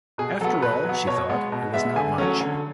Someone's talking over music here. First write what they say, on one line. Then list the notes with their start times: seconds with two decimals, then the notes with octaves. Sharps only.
After all, she thought, it was not much.
0.18 B2 G#4
0.41 F#3 A4
0.44 B3
0.62 B2 B4
0.85 F#3 B3
1.07 B2 C#5
1.29 G#3 B3
1.52 B2
1.74 G#3 B3 E5
1.95 D3 G#5
2.18 F#3 A3 C#4
2.41 D3